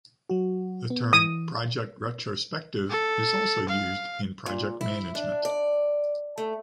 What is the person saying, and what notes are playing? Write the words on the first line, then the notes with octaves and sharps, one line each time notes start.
The term project retrospective is also used in project management.
F#3 F#4
B3
E3 D#6
A4
F5
A#2
E4
D4
D5
A3